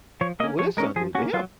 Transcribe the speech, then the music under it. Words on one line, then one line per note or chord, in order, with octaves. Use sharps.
You know, what his son did to him
F3 C#5
A#3 C#4 D#5
F3 C#5
G#3 C#4 A#4
F3 G#4
A#3 C#4 F#4
F#3 F4